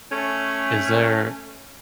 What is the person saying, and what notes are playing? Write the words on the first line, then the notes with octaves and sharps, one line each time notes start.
is there
A3 C#4